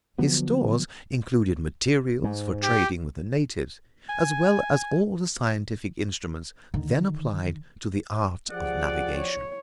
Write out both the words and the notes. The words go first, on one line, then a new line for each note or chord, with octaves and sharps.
His stores included materials for trading with the natives, as well as all the scientific instruments then applied to the art of navigation.
D3 F3 F#3 B3
G#2
G4
G#5
D3 D#3
F3 G4 G#4 D5 F#5
C#5